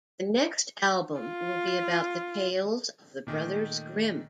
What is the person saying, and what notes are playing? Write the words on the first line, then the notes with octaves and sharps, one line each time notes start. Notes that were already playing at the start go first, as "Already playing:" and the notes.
The next album will be about the tales of the brothers Grimm.
F4
A#2 D#3 A3